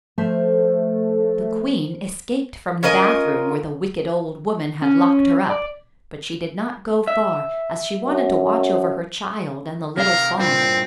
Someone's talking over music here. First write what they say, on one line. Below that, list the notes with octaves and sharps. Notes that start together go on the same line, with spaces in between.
The queen escaped from the bath-room, where the wicked old woman had locked her up, but she did not go far, as she wanted to watch over her child and the little fawn.
F3 A3 C5 E5
C#4 F4 A#4 D#5
C#4
D5
E5
F#2
C3 A#4 F5
G2 A#2 C4 F4